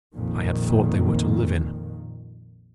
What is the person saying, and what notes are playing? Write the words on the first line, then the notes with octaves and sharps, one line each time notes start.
I had thought they were to live in.
A#1 F2 A#2 D#3